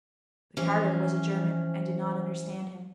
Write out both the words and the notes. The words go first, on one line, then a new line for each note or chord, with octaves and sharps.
The carter was a German and did not understand him.
E3 F3 C4 C#4